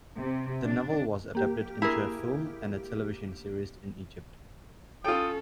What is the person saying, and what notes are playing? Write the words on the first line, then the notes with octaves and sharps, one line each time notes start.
The novel was adapted into a film and a television series in Egypt.
C3
D4
A#3 G4
E4 G#4 A#4
C#4 F4 A4 G5 D#6